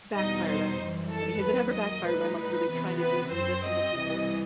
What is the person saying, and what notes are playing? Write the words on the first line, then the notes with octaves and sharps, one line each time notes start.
backfired on me? Has it ever backfired when I'm, like, really trying to deeply listen to people?
E2 B2 G3 D#4 D#5
C5
F#2 E3 G3
A4
D#2 D#3 F#3 B4
D#5
A2 G3 D#4 B4
B4
C3 E3 B3
B4
F#2 F#3 C4 C5
D#5
C2 C3 E3